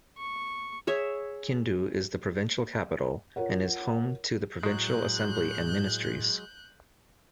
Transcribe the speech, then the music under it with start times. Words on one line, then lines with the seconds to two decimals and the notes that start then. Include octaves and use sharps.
Kindu is the provincial capital and is home to the provincial assembly and ministries.
0.17 C#6
0.87 G#4 C#5 E5
3.36 F4 A#4 C#5 F#5
4.63 A2 F#3 G#3 F#6 G6